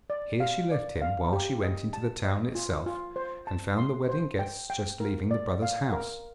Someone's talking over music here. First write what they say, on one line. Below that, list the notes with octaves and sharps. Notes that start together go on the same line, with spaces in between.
Here she left him, while she went into the town itself, and found the wedding guests just leaving the brother's house.
D5
F5
D5
F5
G4
D#5
A5
D#5
F4
F4
C5
A5
C6
C5
G5
G5
A#4
D5
F5
A#4